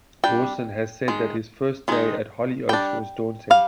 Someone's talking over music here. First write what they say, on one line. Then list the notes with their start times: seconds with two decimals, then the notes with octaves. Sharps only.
Dawson has said that his first day at "Hollyoaks" was "daunting".
0.24 G3 D4 G5
1.08 D#3 G#3
1.88 D#3 G#3 D#4
2.69 G3 D4 G5
3.50 G3 F5